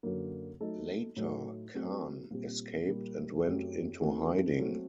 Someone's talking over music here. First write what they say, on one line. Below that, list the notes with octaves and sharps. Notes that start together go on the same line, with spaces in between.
Later Khan escaped and went into hiding.
F#2 D3 F#3 A#3
F#3 A3 D#4 A4
A2 F#3 A3 D#4
F#3 A3 C4 F#4
A#2 G3 C4 G4
A#2 G3 A#3
F#2 F#3 A3 C4 G4
D#3 A3 C4 F#4 A4
F#3 A3 C4 F#4 A4